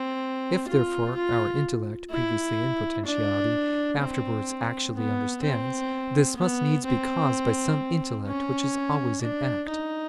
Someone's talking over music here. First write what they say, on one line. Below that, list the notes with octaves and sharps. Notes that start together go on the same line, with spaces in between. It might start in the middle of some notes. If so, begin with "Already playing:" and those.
If, therefore, our intellect, previously in potentiality, afterwards actually understands, this must needs be caused by some intellect which is always in act.
Already playing: C4
F4
F4
E4
D4
C4
B3
C4
B3
C4
C#4
D4
D#4